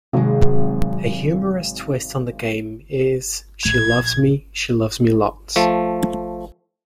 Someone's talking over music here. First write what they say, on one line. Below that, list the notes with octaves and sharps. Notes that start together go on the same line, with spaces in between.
A humorous twist on the game is She loves me, she loves me lots.
G#1 C3 D#3 F#3 G#3
A#1 G#6
F3 A3